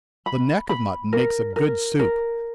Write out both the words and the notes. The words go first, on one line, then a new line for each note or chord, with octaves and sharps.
The neck of mutton makes a good soup.
B5
B5
A#4
A#4
A#4